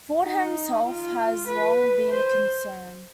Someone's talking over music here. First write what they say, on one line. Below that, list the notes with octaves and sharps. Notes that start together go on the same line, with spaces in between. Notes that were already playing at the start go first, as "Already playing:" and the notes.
Fordham's health has long been a concern.
D#4
F4
B4
C5